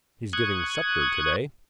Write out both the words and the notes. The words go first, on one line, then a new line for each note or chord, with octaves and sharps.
He's giving Sceptre today.
C#6 D#6 F#6 G#6